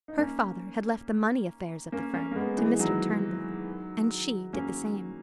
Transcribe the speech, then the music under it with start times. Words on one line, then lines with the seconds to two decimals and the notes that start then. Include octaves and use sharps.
Her father had left the money affairs of the firm to Mr. Turnbull, and she did the same.
0.08 D#4
0.18 A#3 C#4
1.92 A#3 C#4
2.14 A#3 C#4
2.31 A#3
2.36 G#3 B3
2.57 E3 G#3
2.79 D#3 F#3
4.53 A#3 C#4